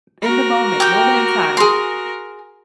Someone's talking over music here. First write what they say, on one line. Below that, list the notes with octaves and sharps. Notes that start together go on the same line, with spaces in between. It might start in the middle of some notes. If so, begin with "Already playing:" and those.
In the moment, moment in time.
F#4 A#4
G4 G5
G#4 C6